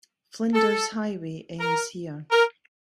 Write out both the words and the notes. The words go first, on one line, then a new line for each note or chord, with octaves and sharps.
Flinders Highway ends here.
A4
A#4
A#4